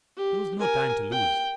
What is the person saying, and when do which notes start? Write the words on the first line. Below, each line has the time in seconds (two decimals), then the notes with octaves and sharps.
There was no time to lose.
0.17 G4
0.59 A#4 G#5
1.12 G5